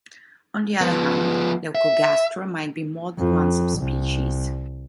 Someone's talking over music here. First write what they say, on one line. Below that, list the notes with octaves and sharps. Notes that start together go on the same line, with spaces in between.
On the other hand, "leucogastra" might be more than one subspecies.
F3 B3
E5
F2
C2